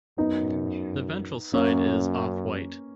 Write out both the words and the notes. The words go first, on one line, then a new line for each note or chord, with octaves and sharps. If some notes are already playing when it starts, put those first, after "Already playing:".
The ventral side is off-white.
F#2 B3 D#4
F#2 A#3 C#4